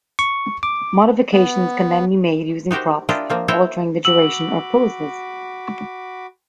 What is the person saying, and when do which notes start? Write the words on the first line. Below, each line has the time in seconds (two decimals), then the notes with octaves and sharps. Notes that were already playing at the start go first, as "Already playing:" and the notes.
Modifications can then be made using props, altering the duration or poses.
0.19 C#6
0.63 D6
1.32 B3
2.71 D#4 F#4 G4 A#4 C5
3.09 D4 E4 F4 G4 A#4 D#5
3.30 F3 A#3 C4
3.48 E4 F#4 C5 C#5 E5 G5
4.05 F#4 B5 D6 E6 F#7